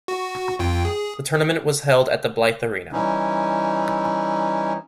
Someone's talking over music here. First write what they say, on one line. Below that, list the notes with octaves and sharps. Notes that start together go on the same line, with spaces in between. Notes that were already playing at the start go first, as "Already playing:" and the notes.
The tournament was held at the Blyth Arena.
F#4
F2 F4 G5
G#4
E3 G3 C#4 D#4 E4